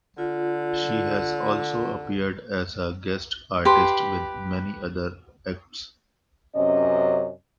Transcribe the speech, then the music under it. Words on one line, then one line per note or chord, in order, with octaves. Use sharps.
She has also appeared as a guest artist with many other acts.
D3 F4
G4 B4 C6
F#2 C3 C#4 D#5